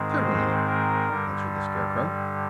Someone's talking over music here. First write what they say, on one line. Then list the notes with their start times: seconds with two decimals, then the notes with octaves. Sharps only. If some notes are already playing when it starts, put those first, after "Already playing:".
"Certainly," answered the Scarecrow.
Already playing: G#2 D#3 G#3 C4
0.25 C5
0.67 A#4
1.09 G2 D3 G3